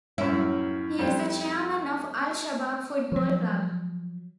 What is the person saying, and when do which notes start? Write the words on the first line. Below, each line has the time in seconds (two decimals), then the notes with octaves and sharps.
He is the chairman of Al-Shabab football club.
0.18 F#2 A2 C#4 E4
0.99 F2 G3 C5
3.12 F3 F#3